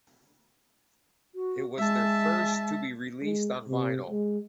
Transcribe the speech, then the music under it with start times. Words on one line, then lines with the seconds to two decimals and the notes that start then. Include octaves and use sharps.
It was their first to be released on vinyl.
1.35 F#4
1.78 G#3 E5 A5
3.23 G#3
3.68 C3
4.10 G#3